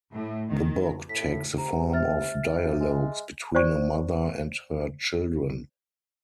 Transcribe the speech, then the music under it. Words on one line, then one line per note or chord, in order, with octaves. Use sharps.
The book takes the form of dialogues between a mother and her children.
A2
D#3
A2 B6
C3 A#5
E5 F6 A6
F#2
G#3
C5 D5 C#6